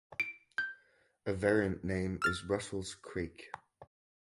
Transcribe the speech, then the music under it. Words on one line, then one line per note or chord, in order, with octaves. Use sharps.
A variant name is "Russells Creek".
D7
G6
E6 F6 A6